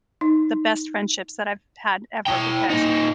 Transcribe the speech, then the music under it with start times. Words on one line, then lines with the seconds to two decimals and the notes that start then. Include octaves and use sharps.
the best friendships that I've had ever because,
0.21 D#4
2.27 E4 G5
2.70 A#2 D#4